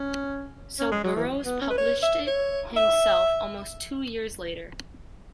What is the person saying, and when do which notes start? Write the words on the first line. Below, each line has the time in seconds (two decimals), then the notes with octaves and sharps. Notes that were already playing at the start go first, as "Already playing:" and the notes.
So Burroughs published it himself almost two years later.
Already playing: C#4
0.79 C#4
0.92 G#3
1.04 F#3
1.16 E3
1.45 B3
1.61 C#4
1.70 B4
1.78 C#5
2.03 E5
2.27 C#5
2.76 E5